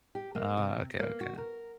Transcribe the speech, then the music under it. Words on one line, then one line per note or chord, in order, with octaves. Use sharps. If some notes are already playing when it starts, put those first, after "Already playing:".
Oh, okay, okay.
G4
A#3
C3
A#3
F#4
A#4